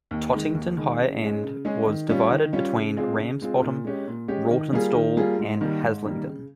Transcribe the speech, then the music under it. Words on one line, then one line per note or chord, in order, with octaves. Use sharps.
Tottington Higher End was divided between Ramsbottom, Rawtenstall and Haslingden.
D#2
D#3 G#3
D#2
D#3 G#3
C#3
G#3 C#4 G#4
C#3
G#3 C#4 G#4
D#3
G3 C#4 F4
D#3
G3 C#4 F4
C#3
G#3 C4 F4 G#4
C#3
G#3 C4 F4 G#4
A#2
G#3 C#4 G4
A#2
G#3 C#4 G4
D#3
G3 A#3 F4 G#4
D#3
G3 A#3 F4 G#4
G#2
D#3 G3 A#3
G#2
D#3 G3 A#3
C#3